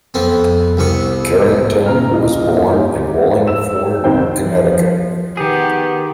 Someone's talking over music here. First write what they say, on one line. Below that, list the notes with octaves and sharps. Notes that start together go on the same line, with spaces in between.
Carrington was born in Wallingford, Connecticut.
F2 B3 C4
C2 C3 B3 C#6
C#3 A#5 F6
A#1 A#2 E4 F4 D#5
D#4 G4
E6 E7
C2 D#3 C4 C5 G5
F3
D#3 B3 G4 G#4